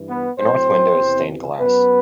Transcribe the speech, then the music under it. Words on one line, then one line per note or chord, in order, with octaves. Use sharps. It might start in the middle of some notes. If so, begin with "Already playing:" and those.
The north window is stained glass.
Already playing: G2 E3
B3 B4
A2 F#3 C4 C5
E2 C3 E3
F#2 F#3 B3 B4